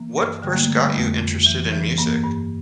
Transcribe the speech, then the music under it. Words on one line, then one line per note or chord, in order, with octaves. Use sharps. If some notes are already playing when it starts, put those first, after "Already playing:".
What first got you interested in music?
Already playing: E3 A#3
G2
D3 G3
A#3
A3
D3
G3
F2 A3
F2
E3
E3
G2 A#3
G2